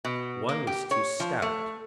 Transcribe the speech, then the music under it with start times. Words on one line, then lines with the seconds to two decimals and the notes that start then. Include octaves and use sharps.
One was too stout.
0.05 B2
0.49 A#3
0.67 G4
0.91 C#5
1.20 F3
1.42 A3